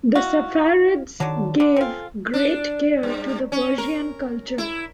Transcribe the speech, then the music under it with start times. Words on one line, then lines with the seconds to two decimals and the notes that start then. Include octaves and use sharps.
The Saffarids gave great care to the Persian culture.
0.15 E4 F#4 D#5 F5
1.20 D3 D#3 F#3 A5
1.60 D3 D4
1.76 C4 F4 A4 G5 G#5
2.34 D4
3.03 G2
3.52 C#4
3.78 A#4
4.58 E4